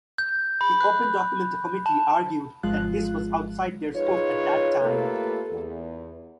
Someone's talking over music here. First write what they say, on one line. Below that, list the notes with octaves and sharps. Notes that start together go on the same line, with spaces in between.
The OpenDocument committee argued that this was outside their scope at that time.
G6
B5
F#6
A5
G#1 F3 G#3 F4 F#6
D#4 F4 G#4 B4 C#5
A3 A#3 F4 G4 A4 B4
E2